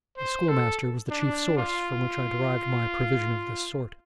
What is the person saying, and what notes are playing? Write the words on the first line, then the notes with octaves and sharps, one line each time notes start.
The schoolmaster was the chief source from which I derived my provision of this sort.
C5
A4
D4
F4